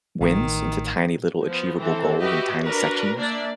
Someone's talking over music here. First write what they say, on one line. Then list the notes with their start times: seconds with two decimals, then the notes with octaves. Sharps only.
wins, into tiny, little, achievable goals in tiny sections,
0.21 A1 D#3
1.46 F3 B3
1.78 E3 C4 A4
2.20 F#4 G4 B4 D#5 E5
2.63 D4 F#4 A#4 B4
3.18 A#3 D4 D5 E5